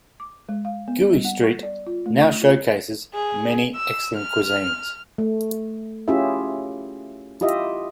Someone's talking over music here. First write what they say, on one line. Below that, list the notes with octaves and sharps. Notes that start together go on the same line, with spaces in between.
Gui Street now showcases many excellent cuisines.
D6
G#3
F5
B3
G3
F#5
C#6
D5
F4
A3
C#6
F4
G#4
E6
F6
A3
C#4 E4 F4 G4 G#4 E5
E4 F4 G4 D#5 E5